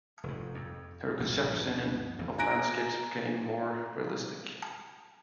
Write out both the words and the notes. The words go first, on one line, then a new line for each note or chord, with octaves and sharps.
Her conception of landscapes became more realistic.
F1 G#2
F2
A#1 G#2 D3 G3
D2 G2 F3
G#1 F2 G#2
G#5 A#5 F#6 A#6 D7